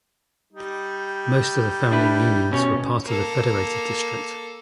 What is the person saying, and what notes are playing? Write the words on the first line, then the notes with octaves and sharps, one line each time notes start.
Most of the founding unions were part of the Federated District.
G3 D#4
D4 E4 B4
B2 C#4 C#5
A#3 A4